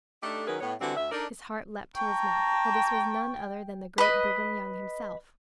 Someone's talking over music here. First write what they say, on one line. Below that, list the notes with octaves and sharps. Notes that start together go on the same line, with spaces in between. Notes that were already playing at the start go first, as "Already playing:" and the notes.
His heart leapt to his mouth, for this was none other than the great Brigham Young himself.
A3 D4 D#4 G4 A4
D#3 F#3 C#4 G#4 A#4 B4
A2 B3 C#5
D3 E3 G3 C4 D4 F#4
D2 E5
D4 D#4 A4 A#4 D5
G5 A5 A#5 C#6
B4 D#5